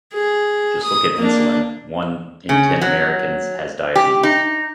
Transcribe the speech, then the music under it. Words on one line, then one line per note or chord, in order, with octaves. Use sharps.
Just look at insulin. One in ten Americans has diabetes.
G#4
D#6
A#3 D4
C#3
F#3
G4
D#4